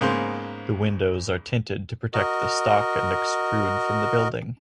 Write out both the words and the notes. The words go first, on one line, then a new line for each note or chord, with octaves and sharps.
The windows are tinted to protect the stock and extrude from the building.
G#2 C#3 A#3 B3 C5 C6
F#4 A#4 D#5